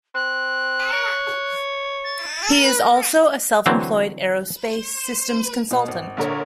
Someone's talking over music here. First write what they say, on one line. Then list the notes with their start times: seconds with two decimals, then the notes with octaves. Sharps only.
He is also a self-employed aerospace systems consultant.
0.15 C4 F#6
0.93 C#5
2.04 A6
3.66 D3 E3 F#3 C4
5.71 B2
5.88 G#1
6.17 A#1 D3 A#4 C#5